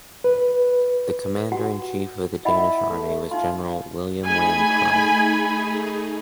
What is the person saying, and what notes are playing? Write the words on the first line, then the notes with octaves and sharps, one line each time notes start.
The Commander in chief of the Danish army was General William Wain Prior.
B4
F#4 G4 F#5
E4 D#5 F#5 B5
A3
D#4 F4 C6
A3 D#4 G#4 G#5 B5